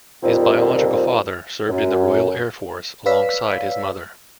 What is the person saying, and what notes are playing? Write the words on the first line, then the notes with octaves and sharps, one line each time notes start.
His biological father served in the Royal Air Force alongside his mother.
F2 A#2 D#3 F3 G3 C4
F#2
B4 C#5 D5 F5 E6 B6